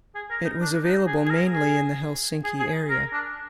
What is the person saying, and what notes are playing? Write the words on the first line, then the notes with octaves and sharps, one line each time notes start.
It was available mainly in the Helsinki area.
G#4
A#4
D#4
D4
D#4
G#4
G#4
A#4
G#4
G#4
G#4
A#4
D4